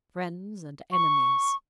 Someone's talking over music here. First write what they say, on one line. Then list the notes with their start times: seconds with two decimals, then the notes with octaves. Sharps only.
"Friends and enemies!"
0.92 C#6